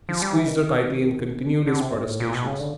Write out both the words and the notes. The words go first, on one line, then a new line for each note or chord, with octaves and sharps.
He squeezed her tightly, and continued his protestations.
F3
G3
E3
D#3
D3
C3
G#2
A2
A#2
B2
C#3
D3